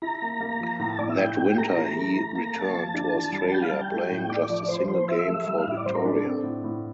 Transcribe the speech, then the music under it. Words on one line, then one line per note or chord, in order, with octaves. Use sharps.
That winter he returned to Australia, playing just a single game for Victoria.
E4 A#5
A#3
A#3
F3
A2 A#5
A5
A2 D5
E5
A2 G5
A2
A3 A#5
E3
A3
E4
A#3 A#5
A#3 A5
F3
D4
E3
G3
G3 G5
F5
G3 A5
G5
A3
A2
E4 D5
F3
F3 C5
F3 C5
F3 E5
A3
G3
F5
A2 E5
D5
G3 C5
A#4
D4
A4
C4
A2
A2